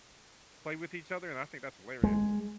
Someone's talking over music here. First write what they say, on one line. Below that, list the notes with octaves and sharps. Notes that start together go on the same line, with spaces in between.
play with each other, and I think that's hilarious.
G#3